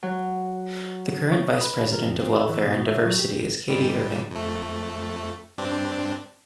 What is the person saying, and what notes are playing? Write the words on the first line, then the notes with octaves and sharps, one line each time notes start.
The current Vice President of Welfare and Diversity is Katie Irving.
F#3
C#5
D#5
B4
A#4
F2
C4
E4
E3
B2
E5
F#3
G4
G#2 G3
F2 A3
G2 C4 D4